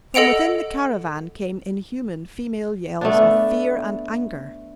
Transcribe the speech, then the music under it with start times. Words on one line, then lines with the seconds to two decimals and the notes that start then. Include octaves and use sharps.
From within the caravan came inhuman female yells of fear and anger.
0.14 A4 D#5 F#5 D7 F7
3.01 A3 B3 D4